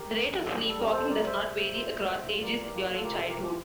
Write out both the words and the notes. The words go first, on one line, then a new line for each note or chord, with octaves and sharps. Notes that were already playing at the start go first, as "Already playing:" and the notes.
The rate of sleepwalking does not vary across ages during childhood.
Already playing: G4 A#4
D3
F2
D3 A4
G3 G4
A4
F2 G4 A#4
F2 A4 C5
G3 A#4 D5
G3 C5 E5
C3
A#3
F4
A#3
C3
F4
E3 A#4 D5
A#3
G4 A#4
F4
F4 A4
C3 G4 A#4
A4
E3 G4 A#4
G4